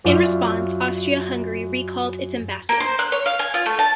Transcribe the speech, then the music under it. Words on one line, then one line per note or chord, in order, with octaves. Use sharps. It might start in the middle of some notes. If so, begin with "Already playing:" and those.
In response, Austria-Hungary recalled its ambassador.
F#2 F4 D5 E5 F6
A#3
C5
F#6
C#5
F5
G#5
F4
A3
A5